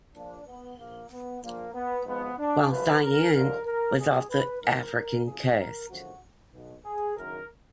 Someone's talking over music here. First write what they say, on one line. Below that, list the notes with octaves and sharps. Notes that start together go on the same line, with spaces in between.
While "Cyane" was off the African coast.
A#1 A#2 F3 D4
B3
A#1 A#2 F3 A#3
B3
A#1 A#2 F3 A#3
B3
G#1 G#2 F3 B3
D4
G#1 F#2 F3 B4
A#4
D#2 D3 F3 A#4
A#4
B1 A#2 F3 G#4
B4
A#1 G#2 D#3 A#4
A#4
F#1 F2 F3 G#4
A#4
G#1 F#2 D3 F3 F#4
B1 B2
G#4
F#1 F#2 D#3 A#4